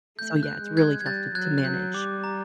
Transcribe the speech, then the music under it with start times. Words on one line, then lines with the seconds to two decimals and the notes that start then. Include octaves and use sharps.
so, yeah, it's really tough to to manage.
0.18 A3 G6
0.43 F#6
0.48 G6
0.62 G#3
0.77 F#6 G#6
1.01 G#6
1.06 G3 G6 A6
1.35 F#3 F#6 G#6
1.58 F#6
1.64 F#3 G6
1.94 G3 D6
2.24 A#5